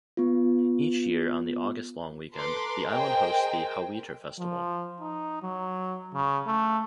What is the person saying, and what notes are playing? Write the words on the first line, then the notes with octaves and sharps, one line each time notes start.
Each year on the August long weekend, the island hosts the Haweater Festival.
B3 F4
A4 B4 A#5 C6 D6
G#4 A#4 C5 D#5 G5
F3
D#4
F#3
C#3
A3